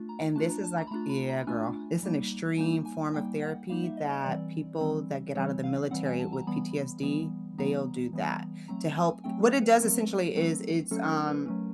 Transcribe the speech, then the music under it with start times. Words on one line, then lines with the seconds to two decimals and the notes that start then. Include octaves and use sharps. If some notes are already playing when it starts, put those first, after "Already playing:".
And this is, like yeah, girl, it's an extreme form of therapy that people that get out of the military with PTSD, they'll do that, to help what it does, essentially is it's, um,
Already playing: A3 D4 F4
0.09 A#5
0.36 A3 D4 F4 A5
0.50 A#5
0.64 A5
0.78 A#5
0.87 B5
0.91 A3 D4 F4 A#5
1.10 B5
1.29 A#5
1.47 A3 D4 F4 G#5
2.03 G3 A#3 D#4
2.58 G3 A#3 D#4 G#5
2.86 G#5
3.14 G3 A#3 D#4 G5
3.42 F#5
3.69 G3 A#3 D#4 F5
3.84 E5
3.97 D#5
4.11 D#5
4.24 E3 G3 C4 D5
4.81 E3 G3 C4
5.35 E3 G3 C4 C#5
5.64 F5
5.91 E3 G3 C4 F#5
6.05 G#5
6.19 A5
6.33 A#5
6.47 E3 G3 B3 B5
7.02 E3 G3 B3
7.58 E3 G3 B3 A#5
8.13 E3 G3 B3
8.68 F#3 A3 C4 A#5
8.97 G#5
9.24 F#3 A3 C4 G5
9.43 F5
9.61 B4
9.80 F#3 A3 C4 A#4
10.35 F#3 A3 C4
10.91 F#3 A3 C#4 A4
11.09 A#4
11.28 B4
11.46 F#3 A3 C#4